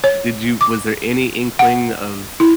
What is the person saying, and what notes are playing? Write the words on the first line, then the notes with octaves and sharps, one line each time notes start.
did you was there any inkling of
C#5
D6
F#5
E4